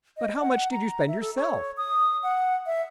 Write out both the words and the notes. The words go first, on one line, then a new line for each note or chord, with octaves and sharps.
"But how much did you spend yourself?"
D#5
F#5
A#5
E5
A4
C#5
D#6
F#5
E5